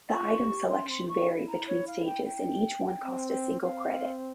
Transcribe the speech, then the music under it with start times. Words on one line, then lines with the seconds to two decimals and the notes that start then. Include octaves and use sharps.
The item selection vary between stages and each one cost a single credit.
0.11 F4 C#6
0.42 G4
0.70 C#4 C6
0.89 C4 C6
1.09 E4 C#6
1.48 A#5
1.68 C#5
1.88 F5
2.06 G5
2.25 G5
3.03 C4
3.62 C4 F5